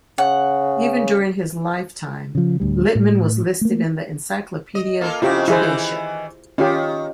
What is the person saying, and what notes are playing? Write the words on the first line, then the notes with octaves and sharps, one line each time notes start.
Even during his lifetime, Littmann was listed in the Encyclopaedia Judaica.
C#3 F#5
C#3 F3
D1 D2 G3
A2
A3 A#3
D#5
A#3 F4 A4
F2 C#3 C4 E4 F4 G4
D#3 E3 E4 G#4 C5
D#3 C#4 F4 G4